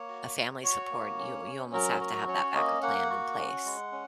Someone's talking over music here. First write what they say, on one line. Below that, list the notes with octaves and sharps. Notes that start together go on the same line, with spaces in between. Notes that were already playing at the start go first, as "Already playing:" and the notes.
a family support, you you almost have to have that backup plan in place.
Already playing: A#3 C#5
F#4
F#4
F#4 C#5
A#3
C#4
C#4
F#3 A#4
F#4 A#4
C#4 C#5
A#3 D#5
A#3 F#5
F#4
C#4
G#3
C#4